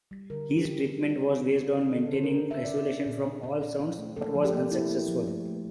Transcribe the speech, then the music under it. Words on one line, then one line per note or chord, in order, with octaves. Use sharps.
His treatment was based on maintaining isolation from all sounds, but was unsuccessful.
G3
D3 A#4
D4
G4
D3
D3 F4
G3
G3
D3
D4
D3
D3 A4
D3 C5
A#4
D4
D4 E5
D5
D4
D4
A#2
C4
C4
C4
C4
A3
A#3 A4
F3
G4
A#3
A#3 E4
A#3
F3
A3
A3